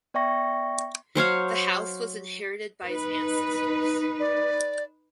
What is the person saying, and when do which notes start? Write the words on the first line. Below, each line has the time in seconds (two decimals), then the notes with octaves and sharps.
The house was inherited by his ancestors.
0.14 B3 D5 E5 G5 C#6 A#6
1.15 F#3 C5 C#5 F5
2.86 D#4 B4
4.19 D5